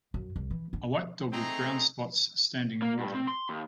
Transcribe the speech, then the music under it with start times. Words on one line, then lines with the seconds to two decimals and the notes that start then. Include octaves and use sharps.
A white dog with brown spots standing in water.
0.14 F#2
0.36 C2
0.51 E3
0.73 D4
1.33 A3 C4 D#4 G#4 A#5
2.82 A#3
2.99 G2
3.15 C4
3.27 C6
3.49 D#2